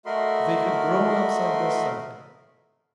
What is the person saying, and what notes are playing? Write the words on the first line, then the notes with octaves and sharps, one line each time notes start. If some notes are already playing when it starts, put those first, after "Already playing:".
They had grown up side by side.
A3 F#4 A#4 D#5 B5 C6